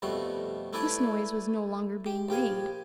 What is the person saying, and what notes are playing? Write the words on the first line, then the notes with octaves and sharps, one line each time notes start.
This noise was no longer being made.
F2 B2 G3 A3 F#4
A3 D4 E4 B4 D5 G#5
G4
A#1 G4 F5 G#5